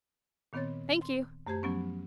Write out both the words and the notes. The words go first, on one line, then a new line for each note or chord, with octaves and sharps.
Thank you.
A#2 D#3 B3 C4 C#5 A6
C6
F#2 A3 G4 C5 G#6
F3 F#3 B3 C#4